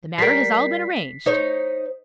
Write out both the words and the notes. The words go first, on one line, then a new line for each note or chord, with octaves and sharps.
The matter has all been arranged.
G3 A#4 B6 C7
D#4 C5 C#5